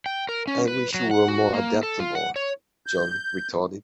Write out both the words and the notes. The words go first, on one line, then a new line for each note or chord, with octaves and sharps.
I wish you were more adaptable, Joan retorted.
G5
A#4
C#4
B4
F#3
F#5
F#4
A#3
A4
F4
F#5
C#5
G6